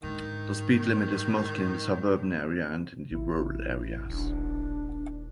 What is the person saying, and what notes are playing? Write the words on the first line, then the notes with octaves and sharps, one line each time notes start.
The speed limit is mostly in the suburban area, and in the rural areas.
G#2 D3 D#3
A1 E4
D#1 D4